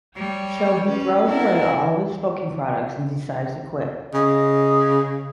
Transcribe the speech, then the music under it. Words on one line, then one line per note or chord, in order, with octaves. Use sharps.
So he throws away all of his smoking products and decides to quit.
G3 C#5
C#4 B4
E4 A4 A#4 F#5
C#3 D#5